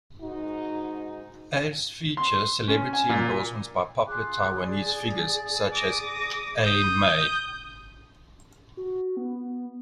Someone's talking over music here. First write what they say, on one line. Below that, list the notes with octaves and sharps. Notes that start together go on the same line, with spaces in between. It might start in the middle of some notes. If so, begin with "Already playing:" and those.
Ads feature celebrity endorsements by popular Taiwanese figures such as A-Mei.
G#2 D#4 F#4
C6
C#4
G#5
A#2
F4 G#4 D6 F#6
D5
D6 D#6 A#6
D#6 G6
F#4
B3